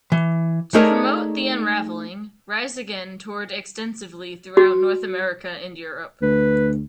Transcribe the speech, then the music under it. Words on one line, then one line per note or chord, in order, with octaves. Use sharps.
To promote "The Unraveling", Rise Against toured extensively throughout North America and Europe.
E3
A3 D#4 G#4 A#4 C#5 D5
F#4
D2 B4